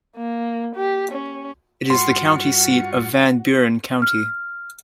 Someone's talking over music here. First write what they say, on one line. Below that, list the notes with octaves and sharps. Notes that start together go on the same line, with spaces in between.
It is the county seat of Van Buren County.
A#3
G4
C#4
G2 F4 F#4 F#5 C6 C#6
F6